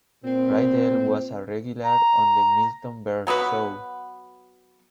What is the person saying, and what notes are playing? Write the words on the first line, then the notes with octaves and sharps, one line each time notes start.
Rydell was a regular on The Milton Berle Show.
A#2 C4
A#5
F#3 B3 F#4 B4